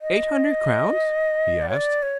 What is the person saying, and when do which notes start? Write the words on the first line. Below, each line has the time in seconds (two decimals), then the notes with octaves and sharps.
"Eight hundred crowns?" he asked.
0.01 D#5
1.62 D5
1.69 C#5
1.76 D5
2.03 C#5